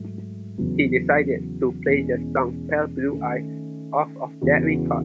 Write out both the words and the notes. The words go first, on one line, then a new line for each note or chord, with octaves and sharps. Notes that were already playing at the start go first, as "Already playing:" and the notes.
He decides to play the song "Pale Blue Eyes" off of that record.
Already playing: G#2 F#3 A3
E2 C#3 F#3 B3
E2 B2 G#3 C#4
D#3 A3 C#4
E2 C#3 E3 B3 F#4